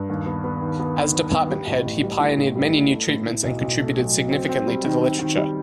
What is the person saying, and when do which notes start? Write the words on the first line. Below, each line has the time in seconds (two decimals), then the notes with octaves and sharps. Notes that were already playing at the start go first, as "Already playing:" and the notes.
As department head he pioneered many new treatments and contributed significantly to the literature.
Already playing: G2
0.09 D#2
0.26 B3
0.44 B3
0.61 D#3
0.79 B3
0.97 D#3
1.15 B3
1.32 B3
1.50 G3
1.67 A1
1.85 A1
2.03 G3
2.20 A2
2.38 A2
2.56 G3
2.73 A2
2.91 A3
3.08 A2
3.26 A2
3.43 B1
3.61 B1
3.79 A3
3.96 F#3
4.14 F#3
4.31 C4
4.49 C4
4.67 G3
4.84 D#3
5.01 C4
5.19 D#3
5.37 G3